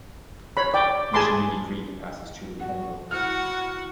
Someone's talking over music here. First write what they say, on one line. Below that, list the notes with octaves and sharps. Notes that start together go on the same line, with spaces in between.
Neshaminy Creek passes through Hulmeville.
C#5 B5
D5 G5 D6
G#4 G#5 A5 B5 C6 D6
F#4 F#5
E4 F#4 F#5 F6